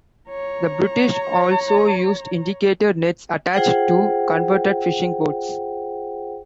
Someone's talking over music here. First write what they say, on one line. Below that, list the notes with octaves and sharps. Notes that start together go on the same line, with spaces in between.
The British also used indicator nets attached to converted fishing boats.
C#5 A#5
F4 G#4 C5 F#5 G5